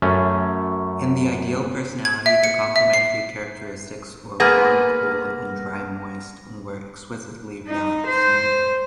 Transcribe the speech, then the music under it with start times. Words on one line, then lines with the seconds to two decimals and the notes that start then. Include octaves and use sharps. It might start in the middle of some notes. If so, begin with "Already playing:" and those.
In the ideal personality, the complementary characteristics or warm-cool and dry-moist were exquisitely balanced.
0.02 F#2 A3 C#4
2.05 G#6
2.26 E5
2.44 C#7
2.76 E5
2.93 C7
4.40 A#3 B3 G#4 F#5 F6 A#6
7.68 D#4
8.07 C5